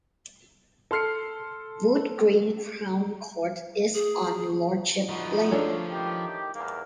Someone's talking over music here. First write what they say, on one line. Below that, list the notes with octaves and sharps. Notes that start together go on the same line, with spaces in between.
Wood Green Crown Court is on Lordship Lane.
A4 C6 F6 C7 C#7
G#4
D2 F3 D#4 F#4 B4
D4 A4 C#5
A2 D#3 G4
E2 G#2 A#3